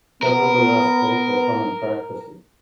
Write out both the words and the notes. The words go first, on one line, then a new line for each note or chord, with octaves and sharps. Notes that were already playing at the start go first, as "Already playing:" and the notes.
Nevertheless, both were common practices.
B3 A#4